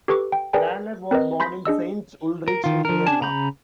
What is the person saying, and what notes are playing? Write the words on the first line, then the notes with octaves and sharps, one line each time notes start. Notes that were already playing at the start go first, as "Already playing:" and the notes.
Lanner was born in Saint Ulrich in Vienna.
G4 A4 B4 C#6 D6
G5
G#4 A#4 B4 D5 G5 G#5
C4 A#4 B4 D#5
B5 C6 G6 A#6 B6
D4 G#4 D#5 E6
A#4
D#3 F4
F3 A#4
D4 G#5 A5
C#3 A#5 B5 G6